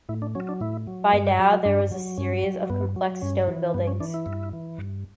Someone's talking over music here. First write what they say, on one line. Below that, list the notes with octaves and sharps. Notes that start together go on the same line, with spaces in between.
By now there was a series of complex stone buildings.
A2 E4
D4
F#3 C#4
D4
A2 E4
F#3
G2 B3
G4
F#3 G4
F#4
G2 D4
F#3
G2 C#4
F#3
G2 B3
F#3
G2 C#4
E3
G2 B3
C#4
E3 D4
E4
G2
E3
G2